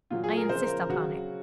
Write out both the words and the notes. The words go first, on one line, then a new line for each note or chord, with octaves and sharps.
I insist upon it.'
A#2 F#3 F4
G#4
A#4
C#3 F3 C5
A#4
C#3 F#3 F#4